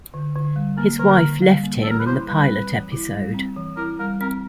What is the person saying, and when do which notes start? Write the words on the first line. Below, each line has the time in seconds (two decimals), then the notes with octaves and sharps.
His wife left him in the pilot episode.
0.14 D3
0.36 D3
0.56 G3
0.77 A#3 A#4
0.99 D3 A#4
1.21 D3
1.42 G3
1.64 A#3
1.83 E3 A4
1.91 A#4
1.99 B4
2.06 E4 C5
2.28 G3 B4
2.49 C4
2.71 E3
2.92 E4
3.13 G3
3.34 C4
3.56 E3
3.77 E4 A#4
3.99 G3 A#4
4.20 C4 A#4